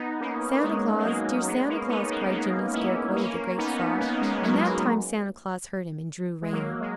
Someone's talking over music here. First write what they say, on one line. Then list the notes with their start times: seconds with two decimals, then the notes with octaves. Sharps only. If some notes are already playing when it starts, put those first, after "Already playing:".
"Santa Claus! dear Santa Claus!" cried Jimmy Scarecrow with a great sob, and that time Santa Claus heard him and drew rein.
Already playing: B3 D#4
0.21 A#3 C#4
0.63 G#3 B3
0.98 G#3
1.05 F#3 A#3
1.47 G#3 B3
1.68 A#3 C#4
1.89 B3 D#4
2.10 A#3 C#4
2.27 B3
2.31 A#3 C#4
2.74 C#4 E4
3.16 A#3 C#4
3.58 B3 D#4
4.00 A#3 C#4
4.21 G#3 B3
4.42 F#3 A#3
4.63 G#3
6.42 G#3
6.53 F#3 A#3
6.81 G#3